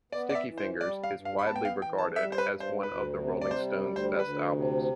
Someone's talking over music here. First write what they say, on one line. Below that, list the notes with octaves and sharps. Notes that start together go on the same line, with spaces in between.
"Sticky Fingers" is widely regarded as one of the Rolling Stones' best albums.
B3 D5
D5
E5
E3
C5
G3 D5
F5
G2
F5
B5
B3 A5
G5
F5
E3 G5
A5
G3 E5
C5
B4
G2
C5
D2 B4
C3
D5
G3 C5
D2
C5
D2 B4
C3